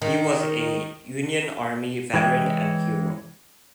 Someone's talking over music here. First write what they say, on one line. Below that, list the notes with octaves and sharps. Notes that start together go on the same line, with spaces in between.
He was a Union army veteran and hero.
D#3
E3 G#3 C#5 G5